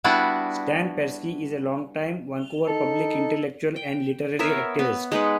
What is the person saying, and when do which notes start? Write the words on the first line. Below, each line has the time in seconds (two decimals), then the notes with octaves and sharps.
Stan Persky is a long-time Vancouver public intellectual and literary activist.
0.04 G3 B3 D4 E4 F#4
2.68 D#4 A4
3.76 G5
4.39 B3 A#4 C#5 E5
4.79 B3
5.12 G#3 D#4 B4 F#5